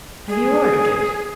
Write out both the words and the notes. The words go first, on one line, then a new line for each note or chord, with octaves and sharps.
Have you ordered it?'
G#4